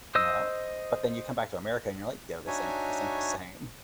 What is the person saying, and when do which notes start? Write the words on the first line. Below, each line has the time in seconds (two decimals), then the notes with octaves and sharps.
you know? But then you come back to America and you're like, "Yo, this ain't this ain't the same."
0.15 C5 D#5 D#6 E6
2.47 D4 D#4 F#4 C#5 E5 G#5